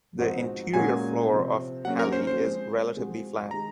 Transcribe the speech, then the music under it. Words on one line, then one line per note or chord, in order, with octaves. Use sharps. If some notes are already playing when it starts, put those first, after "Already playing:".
The interior floor of Halley is relatively flat.
G#2 F3 C4 D#4 F#4
A#2 G#3 C#4 F#4 A#4 G#5
C3 F3 C4
F#3 A#3 C#4 G#4 F#5
A#4
C5
C5
F3 G#3 C4
F3 G#3 C4 F#4
D#3 G#3 D#4 A#5